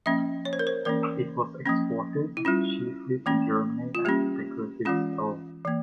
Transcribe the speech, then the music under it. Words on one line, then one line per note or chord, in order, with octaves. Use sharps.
It was exported chiefly to Germany as decorative stone.
F3 A#3 C#4 E5
C#5
C5
A#4
C5
E3 A#3 C#4 A#4
F3 A#3 C#4
E4
G3 C#4 F4
E3 A#3 C#4
F4
G3 A#3 C#4 G4
E3 G#3 C#4 F4
E3 A#3